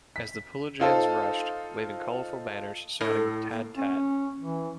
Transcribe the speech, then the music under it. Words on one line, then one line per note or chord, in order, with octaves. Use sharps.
As the Pulajans rushed, waving colorful banners, shouting Tad-Tad!
B6
D#4 F4 A4 C5
A2 A4
A#3
C#4
E3